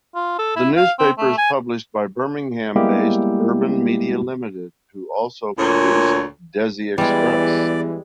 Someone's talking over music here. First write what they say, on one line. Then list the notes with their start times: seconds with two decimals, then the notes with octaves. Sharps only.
The newspaper is published by Birmingham-based Urban Media Limited who also produce "Desi Xpress".
0.15 F4
0.39 A4
0.56 E4
0.77 F5
0.99 C4
1.18 A3
1.38 G#5
2.76 G3 G#3 A#3 B3 E4 G4
5.58 D2 A#2 C#5
6.98 E2 E3 G3 G#3 D5